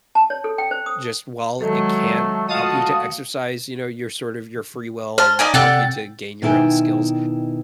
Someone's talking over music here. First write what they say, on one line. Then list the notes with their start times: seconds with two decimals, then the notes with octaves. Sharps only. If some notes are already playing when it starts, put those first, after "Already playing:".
just while it can help you to exercise, you know, your sort of your free will and help you to gain your own skills,
0.15 A5
0.30 C#5
0.44 A4
0.58 G5
0.71 C5
0.86 D#6
1.61 D#3 F#3 G#3 A3 A4
2.49 A3 F4 F#4 D#5 F5 A5 D#6
5.18 C5 A5 F6
5.39 D#4 D5 G#5
5.54 C3 A4 D5 F#5 G5 A6
6.42 B2 D#3 E4 A4 G5 G#5